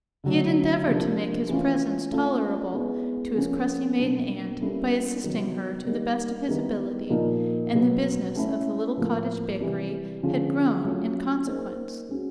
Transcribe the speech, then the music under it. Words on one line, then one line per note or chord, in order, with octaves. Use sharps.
He had endeavoured to make his presence tolerable to his crusty maiden aunt by assisting her to the best of his ability, and the business of the little cottage bakery had grown in consequence.
D3 F#3 A3
C3 F3 A#3 D4
E3 A3 C#4 F4
A3 C#4 F4 A4
G#3 B3 E4 G#4
F3 A#3 C#4
B2 F#3 A#3 D4
G3 A#3 C#4 E4 A4
C3 D#3 F#3 B3
G3 A#3 D#4
D#3 G3 B3 E4
A#2 F3 A#3 D#4
B2 F#3 B3
A3 C#4 E4
A2 F3 A#3
C3 E3 G3
D3 F3 G#3 C#4 F4
F#3 A3 C#4 F4 A4
A#3 D#4 G#4 C5
G#3 C#4 F#4